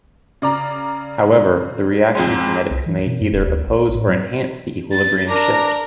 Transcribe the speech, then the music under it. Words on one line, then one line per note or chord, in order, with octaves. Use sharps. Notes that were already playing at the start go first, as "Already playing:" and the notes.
However, the reaction kinetics may either oppose or enhance the equilibrium shift.
C#3 D5 A#5
F2 G#2 G#3
C2
E3
B2
G2
D#1
D2
A1
A2
F#3
A6
D4 A#4 A#5